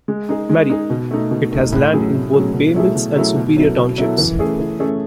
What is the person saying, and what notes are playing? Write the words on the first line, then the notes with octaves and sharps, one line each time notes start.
Marie; it has land in both Bay Mills and Superior townships.
G#3
D#4 G#4
G#3
D#4 G#4
B2
A3 D#4
B2
A3 D#4
A2
F#3 A3 C#4 G#4
A2
F#3 A3 C#4 G#4
B2
F#3 A3 E4 G#4
B2
F#3 A3 E4 G#4
B2
F#3 B3 E4 A4
B2
F#3 B3 E4 A4
E3
A3 C#4 G#4
E3
A3 C#4 G#4